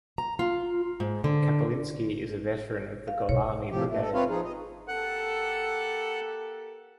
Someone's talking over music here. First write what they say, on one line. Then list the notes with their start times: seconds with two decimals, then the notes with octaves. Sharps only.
Kaplinski is a veteran of the Golani Brigade.
0.18 A#5
0.39 F4
1.00 G#2
1.24 D3
3.08 F5
3.29 B2 C#5
3.71 A2 C3 F3 G4
3.88 A#2 A3
4.01 A4
4.14 C4 F4 B4 C#5 F5
4.29 F3 D#4 G#4
4.45 D#5
4.88 A#3 G4 A4 F#5 F#6